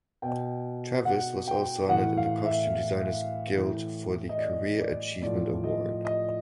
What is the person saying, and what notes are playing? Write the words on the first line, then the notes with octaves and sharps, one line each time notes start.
Travis was also honored in the Costume Designers Guild for the Career Achievement Award.
B2 G5
F#5
G5
A2 E3 F#5
F5
E5
A2 E3
D#5
D5
D5
A2 F3 D5
D#5
D#5